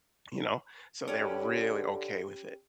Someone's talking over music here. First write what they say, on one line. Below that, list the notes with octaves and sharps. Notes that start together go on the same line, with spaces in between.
you know? So they're really okay with it;
D3 C#4 G4 B4